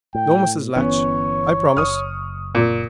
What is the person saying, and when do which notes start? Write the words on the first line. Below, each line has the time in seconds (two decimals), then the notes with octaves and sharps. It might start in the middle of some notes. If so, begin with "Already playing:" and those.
"No, Mrs. Latch, I promise."
0.15 A2 G5
0.76 G1 E3 B3 C#4 C#5
1.77 F#1 C#6 D#6 F6
2.55 A#2